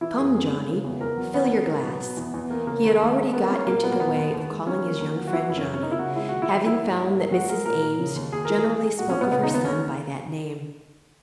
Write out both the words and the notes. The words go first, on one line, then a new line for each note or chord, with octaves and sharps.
"Come, Johnny, fill your glass." He had already got into the way of calling his young friend Johnny, having found that Mrs. Eames generally spoke of her son by that name.
E3 E4
F#2 G#4
F#2
G#3
C#3
E2
E2 A#4
F#3
D#3 B3
A#3
G#2
F#3
B2
E2
E2
A#3
C#3 A#3
D#2
D#2
G#3
A#3 B3
A#3 C#4
A#2 A#3
A#2 B3
A#3
D#3 B3
D#2
D#2
G#3
D#3 C#4
A#3
D#2
F#3
F#4
E3 E4
F#4
F#2 E4
C#4
F#2
C#4
A#3 D#4
E4
C#3 F#4
G#3 E4
D#2 F#4
E4
E3
F#3 E4
G#2
G#2
A#3
G#3 F#4
G#3 A#4
A#2 A#4
A#2
C#3
D#2
D#2 G#4
E3 A#4
G#4
G#3
G#3
A#2 F#4
C#4
A#2
B3
C#3 B3
D#4
D#2
B3
D#2 C#4